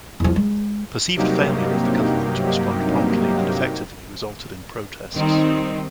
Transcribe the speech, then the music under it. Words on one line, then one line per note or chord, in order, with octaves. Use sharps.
Perceived failure of the government to respond promptly and effectively resulted in protests.
E2 F3
G#3
G2 C3 F#3 A#3 D#4 G4
D#3 G3 C4 D#4